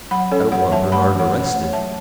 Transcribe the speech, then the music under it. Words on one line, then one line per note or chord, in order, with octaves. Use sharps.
"I don't want Bernard arrested."
F#3 F#5 B5
C#4 A4 C#5
F#3 C#5 F#5
F#3 E5 A5
A3 F#5 B5
E3
C#5 F#5
C#4
C#5 F#5
A3
F#3 E5 A5